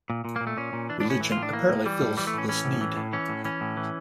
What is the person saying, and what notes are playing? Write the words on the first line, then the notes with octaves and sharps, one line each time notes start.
Religion apparently fills this need.
A#2
A#2
A#3
A#2
A3
A#2 C#4
A#2
E3 D4
A2 D4
C#4
E3
F4
A2
D4
E3 A#3
A2
E3 G3
A2
E3 G3
A3
A2 C#4
E3 C#4
A2
E3
A2
E3 C#4
A2
E3 C#4
A2
E3